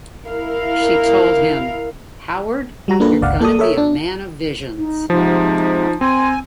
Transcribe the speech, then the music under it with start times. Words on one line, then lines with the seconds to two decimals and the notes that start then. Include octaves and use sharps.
She told him, Howard, you're gonna be a man of visions.
0.26 E4 A#4 F5
2.88 G3 F#4 A#5
3.00 A#3 D4 F4 A4 B4
3.21 G1 C#2 D5 F5 F#5
3.40 A#3 A4 D5 D#6
3.59 A4 A#4 C#5 E5
3.78 D4
4.76 D#4
5.10 G#2 C3 F3 D#4
6.01 C4 G#5 C6